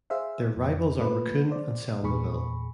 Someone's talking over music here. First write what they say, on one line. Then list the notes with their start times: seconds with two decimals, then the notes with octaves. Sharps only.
Their rivals are Raccoon and Selmaville.
0.10 G#4 C5 E5 F5
0.57 F2
0.99 A3 A#3 F4 B4
1.51 C5 D5
2.02 E2 A#2 G#4 B5 C#6